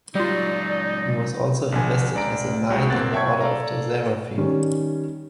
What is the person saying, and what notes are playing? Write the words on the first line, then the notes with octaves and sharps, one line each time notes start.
He was also invested as a Knight in the Order of the Seraphim.
C#2 F#3 G3 D#4 F4 D5
A#1 D3 G#5
C#2 D5 A#5 D7
C2 G#3 F#4 G5
G1 A#3 C4 F#5 F#6 A6
C#5 E5 G5 A5 C#6 G#6
A4 D5 F5 A#5
D#3 G3 C#4